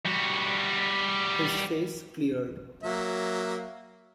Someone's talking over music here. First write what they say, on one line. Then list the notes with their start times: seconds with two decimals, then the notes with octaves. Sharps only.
His face cleared.
0.05 G3 F#4
2.83 F#3 A#3 E5